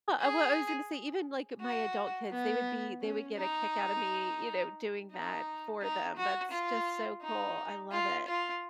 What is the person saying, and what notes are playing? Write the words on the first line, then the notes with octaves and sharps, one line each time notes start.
eh, well I was gonna say, even, like, my adult kids, they would be they would get a kick outta me, you know, doing that for them, that's just, so cool, I love it,
G#4
F#4
B3
C#4
D#4
D#4
D#4
F#4
F4
D#4
F4
F4